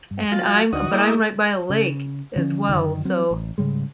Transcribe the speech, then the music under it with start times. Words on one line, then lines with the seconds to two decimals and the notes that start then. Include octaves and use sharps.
and I'm but I'm right by a lake as well, so
0.11 G2
0.32 F#3 F4 A5 A6
0.73 D2 D4 D#4 F#4 D#6
0.93 G#3 A#3 E4 D#5
1.70 C#3
2.36 D3 F3 C#4
2.69 F#2 B2 D3 D#3
3.05 F#3 C4
3.31 A1
3.58 G#2 C#3 G3 G#3